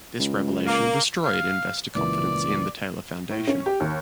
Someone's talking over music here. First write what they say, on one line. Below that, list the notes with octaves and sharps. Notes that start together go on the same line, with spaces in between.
This revelation destroyed investor confidence in the Taylor Foundation.
C#2
A#3
F5
C#2 A#2 E3 D5
A2
C#4
G4
D#2